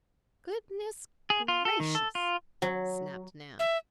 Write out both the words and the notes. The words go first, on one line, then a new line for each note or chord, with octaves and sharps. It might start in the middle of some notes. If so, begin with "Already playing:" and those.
"Goodness, gracious!" snapped Nan.
G#4
F4
A4
D#3
A4
F4
F#3
E5